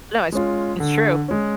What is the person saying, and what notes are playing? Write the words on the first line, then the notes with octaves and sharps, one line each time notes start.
No, it's it's true.
G#3 C#4 F4
D3
G#3 C#4